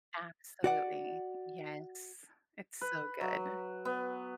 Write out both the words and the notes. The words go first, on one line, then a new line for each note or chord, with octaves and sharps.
Absolutely. Yes. It's so good.
F#4 D5 F#5
B4
F#3
B3